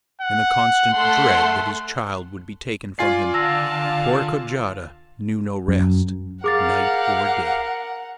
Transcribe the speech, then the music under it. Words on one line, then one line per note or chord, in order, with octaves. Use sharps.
In the constant dread that his child would be taken from him, poor Kojata knew no rest night or day.
F#5
A3 A4 F#5 C6
F4 D5 G#5 C7
D3 F5 A5 E6 A#6
F#2
G4 G#4 A#4 F5 F#5 D6 A6